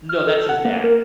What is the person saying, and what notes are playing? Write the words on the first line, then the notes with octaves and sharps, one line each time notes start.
No, that's his dad.
F6
A4
F#5
A#3
A#4